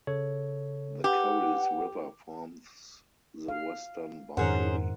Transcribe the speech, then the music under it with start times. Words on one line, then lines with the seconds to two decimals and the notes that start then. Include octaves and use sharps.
The Curries River forms the western boundary.
0.07 C#3 A4 C#5
1.04 G4 B4 F#5
3.48 F5
4.37 F2 G#2 D#3 C#4 G#4 A#4 C5 F#5